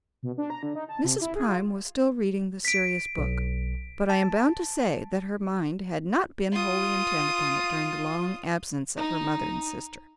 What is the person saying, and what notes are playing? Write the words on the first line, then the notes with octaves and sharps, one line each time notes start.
Mrs. Prime was still reading the serious book; but I am bound to say that her mind had not been wholly intent upon it during the long absence of her mother and sister.
B2
D4
A#5
D3
D#4
A5
C3
E4
G#4
F4
B6 D7
B1
A5
F4 D#6
D#4